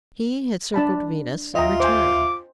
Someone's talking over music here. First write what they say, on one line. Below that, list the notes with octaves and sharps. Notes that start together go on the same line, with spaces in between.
He had circled Venus and returned.
D4 A5 B5
D#2 F4 D#5 E5 G5 A#5
C5 G#5 D6